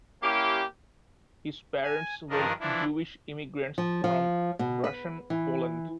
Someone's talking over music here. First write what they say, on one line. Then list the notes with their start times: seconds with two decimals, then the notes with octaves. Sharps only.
His parents were Jewish immigrants from Russian Poland.
0.23 A#3 C#4 E4 G4
1.83 G#5
2.30 G2 D#3 F3 D4 A#4 D#5
2.60 E3 F3 D4 E4
3.78 F3
4.04 F3
4.59 B2
4.84 B4
5.30 E3